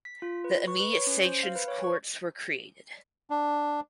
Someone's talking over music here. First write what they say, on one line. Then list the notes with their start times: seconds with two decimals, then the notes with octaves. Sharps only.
The immediate sanctions courts were created.
0.05 B6
0.22 F4
0.44 B4
0.67 C#6
0.80 B4
0.93 C#5
1.07 C#4
1.25 C5
1.43 F5
1.55 B4
1.68 C#5
1.84 C#6
3.30 D4